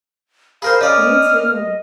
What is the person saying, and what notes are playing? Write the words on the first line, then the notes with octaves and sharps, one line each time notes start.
You too.
G#4 A#4 C5 F5 B5
C#3 D5 D#5 F6
D#5